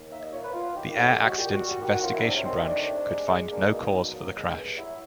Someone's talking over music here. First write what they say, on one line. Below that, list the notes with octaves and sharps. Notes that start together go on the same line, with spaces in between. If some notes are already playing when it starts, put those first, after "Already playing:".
The Air Accidents Investigation Branch could find no cause for the crash.
Already playing: D#2
A#3 E5
D#5
A#2 C#5
B4
B3 F4
D#3 G4
A2 F#4
G4
G#3
F#4
A#2 G4
F#4
G3
D#3 G4
F#4
F#2 F4
E4
C3 D4
C#4
D#3 C4
C#4
A3 D4
C3
G#3
G#3
A#3 D4
B2 D#4
F#3
A#2
G#3
G2
F#3 E4